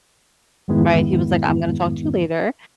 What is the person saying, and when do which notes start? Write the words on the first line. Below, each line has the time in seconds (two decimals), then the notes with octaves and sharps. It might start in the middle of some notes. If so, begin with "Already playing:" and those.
right, he was, like, "I'm gonna talk to you later,"
0.68 F2 G#2 D#3 G#3 B3 E4